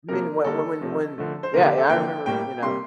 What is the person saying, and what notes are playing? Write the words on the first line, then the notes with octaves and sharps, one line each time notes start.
I mean, whe when when when yeah yeah, I remember, you know,
C3 F3 A#3 A#4
D3 G3 A#3 A4
C3 F3 A3
D3 F3 A3
C5
D3 F3 A#3 A#4
G4
A4
D3 F3 A#3 G5
A2 G3 A#3 G5
C3 G3 A#3 C6